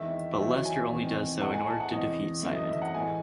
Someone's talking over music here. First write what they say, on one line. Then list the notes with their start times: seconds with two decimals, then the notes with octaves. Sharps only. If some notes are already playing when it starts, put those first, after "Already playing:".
But Lester only does so in order to defeat Simon.
Already playing: E2 D#3 G#3 E5
0.39 E2 D#3 F#3 E5
0.65 G#5
0.91 E2 C3 D#3
1.41 A2 G#3 F#5
1.54 G#5
1.67 A5
1.80 F#5
1.92 E2 C3 E3 G#3 D#5
2.42 F#2 E3 A3 E5
2.56 D#5
2.68 E5
2.82 F#5
2.94 A2 E3 G#3 G#5